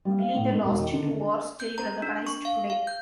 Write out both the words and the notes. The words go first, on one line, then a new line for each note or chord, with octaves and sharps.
Only the last two are still recognized today.
G3
F5
A2
G#2
E1
D#3
D3
D3
D4
G6
A#5
D4
C#6
F5
F5
G6